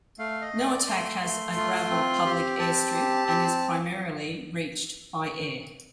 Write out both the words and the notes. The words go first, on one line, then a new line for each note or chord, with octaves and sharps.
Noatak has a gravel public airstrip and is primarily reached by air.
A3 F5
D#5
A3
D5
A3 C6
A3
F4
C4
G4
C4 A5
G4
C4